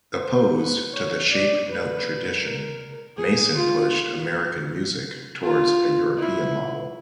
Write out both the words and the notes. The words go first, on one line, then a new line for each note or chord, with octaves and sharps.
Opposed to the shape-note tradition, Mason pushed American music towards a European model.
C5
B4
C#5
D5
B4
A#4
G#4
F4
F4
E4